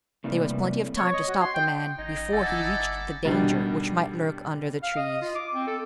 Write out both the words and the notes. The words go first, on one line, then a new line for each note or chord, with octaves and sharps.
There was plenty of time to stop the man before he reached the danger which might lurk under the trees.
A2 C3 E3 G3 A#3
C#5
D#5
F#4
C6
G5
A1 D#4 D#5 G#6 A#6
G1 E4 A4 D5 F#5 G#5 A6
G2 B2 D3 D#3 G3
F5
D#5
F4
D6
C4
A4